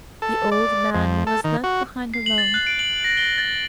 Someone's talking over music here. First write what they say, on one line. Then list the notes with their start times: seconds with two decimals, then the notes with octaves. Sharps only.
The old man was left behind alone.
0.22 A4
0.52 D5
0.95 F2
1.27 A4
1.44 D#3
1.64 F#4
2.14 C7
2.26 F#7
2.38 A6
2.54 F#6
2.67 D7
2.79 F#7
3.04 A#6
3.17 G7
3.38 A6